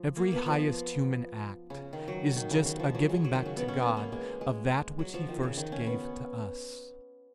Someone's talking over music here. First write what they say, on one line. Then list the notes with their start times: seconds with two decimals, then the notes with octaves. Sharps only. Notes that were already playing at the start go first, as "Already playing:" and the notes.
Every highest human act is just a giving back to God of that which he first gave to us.
Already playing: F3
0.17 A#3
0.32 B3
0.46 F3
1.70 C#3
1.93 D#3
2.08 F#3
2.36 D#3
2.51 C#3
2.66 D#3
2.80 F3
2.95 F#3
3.09 G#3
3.25 F#3
3.35 D#3
3.45 C#3
3.57 B3
3.68 C#4
3.82 B3
3.97 A#3
4.12 G#3
4.41 G#3
4.99 F#3
5.14 F3
5.28 D#3
5.43 C#3
5.57 D#3
5.72 C#4
5.86 B3